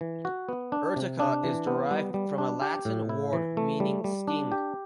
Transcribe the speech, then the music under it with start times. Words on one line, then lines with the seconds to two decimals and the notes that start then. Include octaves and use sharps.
"Urtica" is derived from a Latin word meaning 'sting'.
0.01 E3
0.25 F#4
0.49 B3
0.72 D4
0.96 C3
1.20 D4
1.43 E3
1.67 B3
1.91 G3
2.14 G3
2.38 D4
2.62 G4
2.85 A2
3.09 E4
3.33 E3
3.57 A3
3.80 G3
4.04 G3
4.28 D4
4.52 G4